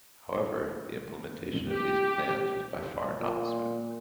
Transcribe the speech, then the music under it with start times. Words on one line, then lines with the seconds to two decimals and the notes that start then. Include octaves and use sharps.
However, the implementation of these plans was by far not smooth.
1.69 G4
3.19 A#2